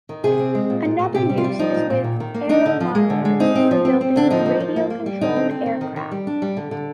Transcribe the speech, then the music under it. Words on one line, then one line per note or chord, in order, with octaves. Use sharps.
Another use is with aero-modellers for building radio-controlled aircraft.
D#3
C3 G#4
C4
G#3
A#2
A#2
A#2
C3 G4
G3
F4
G3
F3 D#4
A#2
A#2
D#3
D#3
A#3
D4 D#4
D3
F3
G#3
D3
G#3
C4 D#4
C4
F3
C4
C4
D3 D4
F3 D#4
A#3
F3
A#3
A#3
G3
D3 D#4
C4
C4
D#3
D#3
D#3
G3
D4
G3
D3
D3